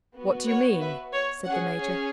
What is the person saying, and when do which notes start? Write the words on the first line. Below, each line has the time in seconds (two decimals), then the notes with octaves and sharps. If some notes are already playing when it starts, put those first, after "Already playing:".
"What do you mean?" said the major.
0.14 B3 F#4
0.47 C#5 F#5
0.80 B4 E5
1.12 C#5
1.45 C#4 G#4 C#5 F#5
1.78 C#5